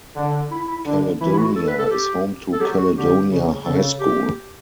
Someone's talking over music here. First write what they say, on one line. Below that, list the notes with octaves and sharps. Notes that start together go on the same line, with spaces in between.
Caledonia is home to Caledonia High School.
D3
E4
E4
D3
E3 E4
E4
F#4
A4
B4
A4
G4
A4
F#3 G4
F#4
D3 G4
C#3
C#3 A4
G4